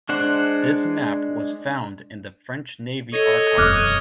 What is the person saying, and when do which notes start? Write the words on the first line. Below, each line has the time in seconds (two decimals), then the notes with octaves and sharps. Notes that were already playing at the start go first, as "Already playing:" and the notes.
This map was found in the French Navy archives.
0.09 G#3 D4 C5 F#5
3.13 A4 C#5 D#5
3.58 E1 F#2 D6 F6 F#6